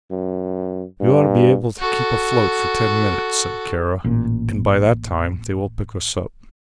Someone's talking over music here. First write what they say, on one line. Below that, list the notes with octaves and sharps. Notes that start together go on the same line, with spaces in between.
"We ought to be able to keep afloat for ten minutes," said Kara, "and by that time they will pick us up."
F#2
G2
F#4 A4
A1 A#2